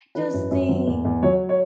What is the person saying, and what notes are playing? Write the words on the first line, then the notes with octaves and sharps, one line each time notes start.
Does the,
E3 B4
F#2
F#2
F#3
E2
E2
F#3 C#5
C#5